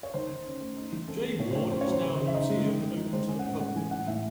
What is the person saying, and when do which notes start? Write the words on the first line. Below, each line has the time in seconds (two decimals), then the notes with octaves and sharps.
J Ward is now a museum open to the public.
0.03 C#5
0.14 D#3 C5
0.29 D#3
0.46 C#4
0.61 A3
0.76 D#4
0.92 E3
1.08 C4 A4
1.18 G#4
1.24 A3
1.30 A4
1.39 A2 C#5
1.51 C5
1.55 A2 C#5
1.72 C#4 C5
1.81 C#5
1.88 F#3 C5
2.03 C#3
2.19 C#3
2.28 E5
2.34 D#4 D#5
2.50 G#3
2.66 D#3
2.82 D#3
2.97 D#4
3.13 G#3 C5
3.28 C#4 G#5
3.39 F#5
3.45 A2 G#5
3.60 G#3 F#5
3.76 E3 G#5
3.91 A2 F#5
4.07 A2 E5